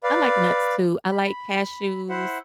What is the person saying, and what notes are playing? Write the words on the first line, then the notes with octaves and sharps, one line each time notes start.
I like nuts, too. I like cashews
B4 D5 F5
B5
E4 C5 E5 F#5